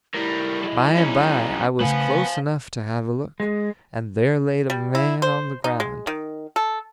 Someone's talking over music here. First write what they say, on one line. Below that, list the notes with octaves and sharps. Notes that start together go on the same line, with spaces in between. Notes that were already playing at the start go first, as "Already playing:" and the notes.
By and by I was close enough to have a look, and there laid a man on the ground.
A2 G3 E4 A#4
F#3 G#4 D#5
C#4 D#4
C#3 A3 B3 B4 C5 F5 G#5
G#3
G3
E4
C5
D#4
G#3
D#3
A4